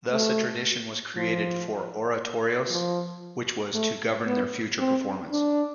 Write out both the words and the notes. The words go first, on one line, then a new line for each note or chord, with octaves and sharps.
Thus a tradition was created for oratorios which was to govern their future performance.
A3
F3
F3
A3
B3
C4
D4